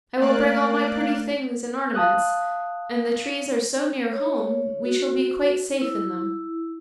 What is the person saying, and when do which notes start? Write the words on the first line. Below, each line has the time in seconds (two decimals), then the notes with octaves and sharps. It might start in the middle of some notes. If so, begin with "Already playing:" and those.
I will bring all my pretty things and ornaments, and the trees are so near home we shall be quite safe in them.'
0.20 A3 A#3 D5 F#6
1.95 F5 A5 D#6 F#6
4.13 C#5
4.85 F#4
5.82 E4